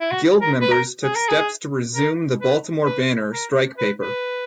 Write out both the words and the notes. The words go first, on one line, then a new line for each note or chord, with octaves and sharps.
Guild members took steps to resume the "Baltimore Banner" strike paper.
E4
F#4
A#4
B4
A#4
G#4
A#4
G#4
A#4
B4
B4
A#4
B4
B4